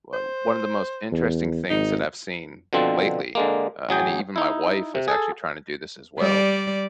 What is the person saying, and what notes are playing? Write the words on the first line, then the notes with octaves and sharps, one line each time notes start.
One one of the most interesting things that I've seen lately, uh, and even my wife is actually trying to do this as well,
C5
E2
G#1 D#4
B2 D3 F3 C4
D3 G#3 A#3
A1 F#3 G#4 G5
D#4 E4
C3
G#4 A4
G3 D5